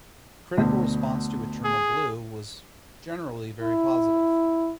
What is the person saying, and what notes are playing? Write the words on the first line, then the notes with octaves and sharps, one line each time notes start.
Critical response to "Eternal Blue" was generally very positive.
D2 B2
G#4
E4